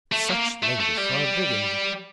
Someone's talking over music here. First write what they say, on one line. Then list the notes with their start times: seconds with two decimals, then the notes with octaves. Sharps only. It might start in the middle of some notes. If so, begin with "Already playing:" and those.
Such language from a Brigand!
0.12 A3
0.29 A#3
0.63 A3
0.80 A3
0.98 G3